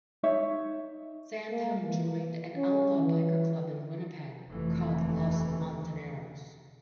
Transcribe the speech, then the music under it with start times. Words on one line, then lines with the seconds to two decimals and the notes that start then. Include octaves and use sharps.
Sandham joined an outlaw biker club in Winnipeg called los Montoneros.
0.23 D#4 C#5 E5
1.51 A#3
1.84 E3
2.57 C#4
2.99 E3
4.47 F1 D#2 E3 A3